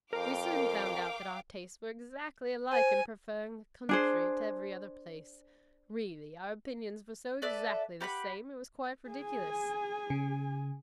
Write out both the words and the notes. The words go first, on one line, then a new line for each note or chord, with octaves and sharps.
We soon found out that our tastes were exactly alike in preferring the country to every other place; really, our opinions were so exactly the same, it was quite ridiculous!
F2 A#4 F5 G5 D6
C5 G#5
D4 G#4 C5
A4 B4 D5 E5
G4 B4 F#5 B5
G#4 G#5
C#3